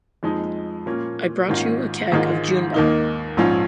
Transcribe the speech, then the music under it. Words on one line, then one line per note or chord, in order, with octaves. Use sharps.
I brought you a keg of June butter.
F2 F3 G#3 D#4
A#2 F3 A#3 C#4 F4
G#1 G#2 D#3 C#4 F4
G#1 G#2 D#3 G#3 F4
D#2 D#3 A#3 D#4
A#1 G#2 F3 C#4 F4